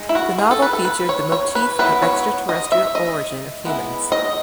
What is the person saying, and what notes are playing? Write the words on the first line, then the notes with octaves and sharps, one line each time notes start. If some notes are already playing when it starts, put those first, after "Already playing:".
The novel featured the motif of extraterrestrial origin of humans.
Already playing: G#3 D#4
E4
F#4
G#4
A4
B4
A4
B4
C#5
C#5
B4
F#3 B3 E4 B4
C#5
D#5
E5
D#5
G#3 B3 E4
D#5